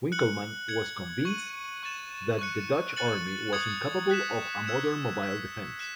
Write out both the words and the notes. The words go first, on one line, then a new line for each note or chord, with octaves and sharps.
Winkelman was convinced that the Dutch army was incapable of a modern, 'mobile' defence.
F#6 C#7 F#7
G#6 C#7 F#7
C#6 G#6 D#7 F#7
C#6 F#6 A6 E7
C#6 F#6 C#7
F#6 A6 C#7 F#7
D#6 G#6 C#7 F#7
F#6 B6 E7
E6 G#6 C#7 E7
E6 B6 E7
F#6 B6 E7